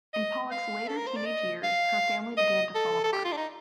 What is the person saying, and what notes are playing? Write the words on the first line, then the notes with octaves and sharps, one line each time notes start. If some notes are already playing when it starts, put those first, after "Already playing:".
In Pollock's later teenage years her family began to fall apart.
D#5
F5
A4
A#4
C5
D5
D#5
F5
D#5
A4
A4
G4
F4
D4
D#4